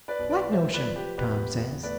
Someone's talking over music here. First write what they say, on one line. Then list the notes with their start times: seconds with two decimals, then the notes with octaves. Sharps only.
"What notion?" Tom says.
0.08 B4 D5
0.19 B1
0.30 B4 D5
0.52 F3 C5 E5
0.74 B4 D5
0.85 F3
0.96 G4 B4
1.18 E2 G4 B4
1.51 E2
1.83 A3 B4 D5